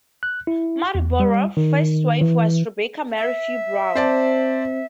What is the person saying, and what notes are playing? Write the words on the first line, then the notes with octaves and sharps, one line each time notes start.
Marlborough's first wife was Rebecca Mary Few Brown.
F#6
E4
E2
G3
D#3
E3
E5
C4 C5 D5 A5